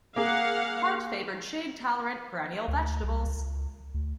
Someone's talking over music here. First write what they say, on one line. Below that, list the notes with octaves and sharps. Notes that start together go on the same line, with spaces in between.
Hart favoured shade tolerant perennial vegetables.
A#3 G#4 F5 F#5
D2
C2
C#2
D2